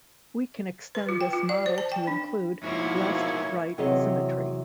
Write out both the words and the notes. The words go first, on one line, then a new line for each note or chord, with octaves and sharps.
We can extend this model to include left-right symmetry.
B4
F4
G5
F4
D5
C5
A5
G5
D4
G#2 B2 F3 A#3 E4 C#5
E2 C3 F#3 G#4 C#5 D#5